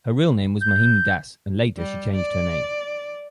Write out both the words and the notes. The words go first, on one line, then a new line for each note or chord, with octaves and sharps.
Her real name was Mohini Das and later she changed her name.
G6
G3
D5